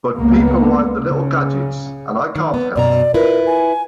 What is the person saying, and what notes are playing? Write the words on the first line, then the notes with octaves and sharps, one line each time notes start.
But people like the little gadgets and I can't help it...
C#2 A#3 B3
C#3
D#3
B3
F#2 B2 D5 A#5
E4 F4 A#4 B4
G#5